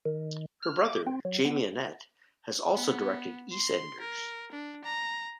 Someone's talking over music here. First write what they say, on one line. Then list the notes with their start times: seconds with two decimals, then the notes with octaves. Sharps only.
Her brother, Jamie Annett, has also directed "EastEnders".
0.05 D#3
0.63 F6
0.85 D6
1.07 C4
1.25 F#3
1.45 B3
2.75 B3
3.52 C6
4.00 A#4
4.52 D4
4.84 A#5